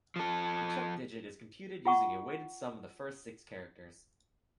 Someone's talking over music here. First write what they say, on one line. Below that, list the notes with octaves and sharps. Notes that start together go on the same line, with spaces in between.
The check digit is computed using a weighted sum of the first six characters.
F3 A4
F4 F#5 C#6